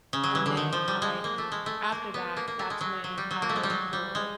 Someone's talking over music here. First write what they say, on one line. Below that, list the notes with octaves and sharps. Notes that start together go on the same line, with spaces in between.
and then I, um after that, that's when I will,
C#3
F#3
E3
D3
D#3
F3
G3
G#3
A#3
A3
G#3
A3
A#3
B3
A#3
A#3
A3
G#3
F#3
F#3
G3
F#3
A#3
A3
G#3
G3
F#3
G3
G#3